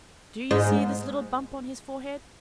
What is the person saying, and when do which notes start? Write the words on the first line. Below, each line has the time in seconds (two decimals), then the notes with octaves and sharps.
Do you see this little bump on his forehead?
0.51 G#2